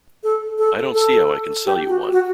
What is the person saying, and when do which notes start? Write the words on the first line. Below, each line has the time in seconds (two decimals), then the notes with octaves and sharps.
I don't see how I can sell you one.
0.23 A4
0.58 A4
0.94 A4
1.66 G4
1.89 F#4
2.12 F#4